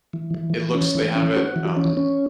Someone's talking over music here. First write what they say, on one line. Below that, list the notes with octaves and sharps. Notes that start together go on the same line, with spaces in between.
it looks they have it, um
E3
E3
E3
C#4
E3
C#4
F#4
E3
C#4
C#4